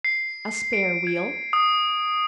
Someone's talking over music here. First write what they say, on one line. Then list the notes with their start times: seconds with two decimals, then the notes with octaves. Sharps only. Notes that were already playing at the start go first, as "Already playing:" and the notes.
"A spare wheel?"
0.05 C7
0.73 D7
1.07 G#6
1.53 D#6